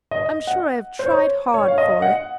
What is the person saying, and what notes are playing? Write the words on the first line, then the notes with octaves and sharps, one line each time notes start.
I'm sure I have tried hard for it.'
D#5
F#5
C5
C#5
C#5
F5
D#5
F#5